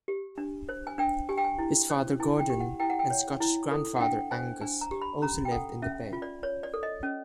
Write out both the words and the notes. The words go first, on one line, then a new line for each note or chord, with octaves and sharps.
His father Gordon and Scottish grandfather Angus also lived in the Bay.
G4
D4
C5
G#5
D4 G5
G4 G#5
G5
G#5
E4
C5
E4 G#5
G5
G4
F#5
E4 G5
F#5
G5
C#5
E4
A4
F#5
D4 G5
C5 G#5
D4 G#5
A#5
G4
B5
C#4 A#5
G5
A4 F#5
C#4 E5
F4
D5
C#5
D5
A4
D#5
C#4